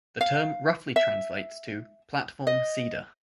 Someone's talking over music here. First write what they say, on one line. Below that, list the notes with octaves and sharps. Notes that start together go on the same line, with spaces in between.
The term roughly translates to "platform cedar".
F5
E5
D#5